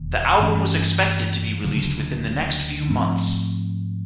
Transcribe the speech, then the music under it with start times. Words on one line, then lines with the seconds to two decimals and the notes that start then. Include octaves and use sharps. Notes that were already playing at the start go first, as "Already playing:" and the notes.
The album was expected to be released within the next few months.
Already playing: E1 D#2
0.39 G2 E3 A3 C#4
1.65 D2 C#3 F#3
2.89 G#2 F3 A3 C4